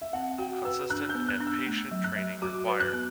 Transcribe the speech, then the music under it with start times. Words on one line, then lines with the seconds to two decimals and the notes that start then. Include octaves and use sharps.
Consistent and patient training required.
0.01 E5
0.13 C4 F#5
0.38 F#4 G5
0.65 B4 E6
0.90 D4 F#6
1.09 G6
1.15 B3
1.28 F#6
1.40 D4
1.47 E6
1.66 A3
1.91 F#3
2.04 F#6
2.16 F#3
2.42 F#4 D6
2.68 B4
2.80 F#6
2.93 B3